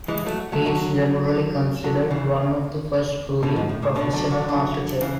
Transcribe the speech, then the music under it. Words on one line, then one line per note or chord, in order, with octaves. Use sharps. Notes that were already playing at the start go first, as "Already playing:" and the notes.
He is generally considered one of the first truly "professional" master chefs.
E3 G#3
F#3 A3
F#3 A3
D3 F#3
D3 F#3
C#3 E3
B2 D3
G#2
A2
A2 C#3
B2 D3
D3 F#3
D3 F#3
D3 F#3
C#3 E3